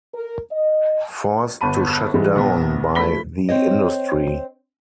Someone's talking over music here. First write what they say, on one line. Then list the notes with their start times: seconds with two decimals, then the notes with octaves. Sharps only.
Forced to shut down by the industry.
0.14 A#4
0.51 D#5
1.61 G1 B3 A5 B5 D#7
2.14 G#2 E3 G3 G#3
2.36 A#1 B3
2.95 F3 A3 B5 B6 G7
3.49 C4 C#5 D#5